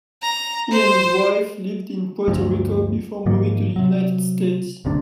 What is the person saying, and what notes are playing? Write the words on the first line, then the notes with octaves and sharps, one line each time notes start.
He and his wife lived in Puerto Rico before moving to the United States.
A#5
C5
D2 G2 F3
G#2 D#3 F3 A#3
C3 F#3
F#1 D2 C3 D4